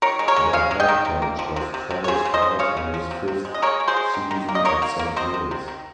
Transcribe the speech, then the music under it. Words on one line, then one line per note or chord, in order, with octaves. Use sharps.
Their head coach was Travis Ford in his fifth season at Saint Louis.
D#3 A#4 C#5
G#3
A#4 C#5
G#3
G#3 C#5 F5
G#3
D#5 G5
D#3
C3
A#3
F3
C3
C3
C3
C#5
C#3 G#4 C5
C#3
C5 D#5
C#3
C#3 C#5 F5
C#3
F3
C3
C3
G#3
D#5
G#3 A#4 C#5
G#3
G#4 C5
G#3
D#3
D#3
A#3
D#5
A#3 A#4 C#5
A#3
A#3
C3 C5 D#5
C3
C3
D#3